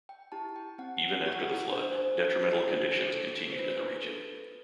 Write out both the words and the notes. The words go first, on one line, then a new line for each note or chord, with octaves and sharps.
Even after the flood, detrimental conditions continued in the region.
G5
E4 G4 A5
G5
C4 F#5
E4 G4 F#5
D4 C5
C5
A4 C5
C5
D4
A4
C5
D4 B4
A4